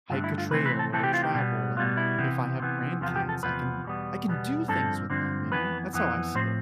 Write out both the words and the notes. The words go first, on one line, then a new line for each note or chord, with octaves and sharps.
hike a trail or travel, and if I have grandkids, I can I can do things with them, you know? That's how I see it.
G2 D3 A3 F4
E4
F4
C3 E3 A3 C4 B4
B4
A4
C3 E3 A3 C4 A4
G4
F4
G4
B2 G3 B3
B2 G3 B3 F4
E4
C3 E3 B3
C3 E3 B3
E2 C3 F3 B3 F4
G4
A4
E2 C3 F3 B3 B4
E2 B2 G3 B3
E2 B2 G3 B3
G2 D3 F3 C4 A4
G2 D3 F3 C4
F2 E3 B3 B4
F2 E3 B3
A2 F3 C4 C5